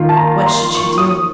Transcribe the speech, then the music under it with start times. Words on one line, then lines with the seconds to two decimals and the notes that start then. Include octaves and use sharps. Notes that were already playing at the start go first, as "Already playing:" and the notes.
What should she do?
Already playing: D#3 A#3 F4
0.09 A5
0.17 A#5
0.46 C6
0.75 C#6
0.98 D#6